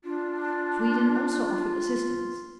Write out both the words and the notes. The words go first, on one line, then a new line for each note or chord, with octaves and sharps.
Sweden also offered assistance.
D4 F4